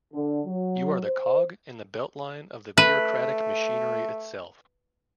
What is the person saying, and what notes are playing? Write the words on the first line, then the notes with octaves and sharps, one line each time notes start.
You are the cog and the beltline of the bureaucratic machinery itself.
D3
F#3
C5
A3 B4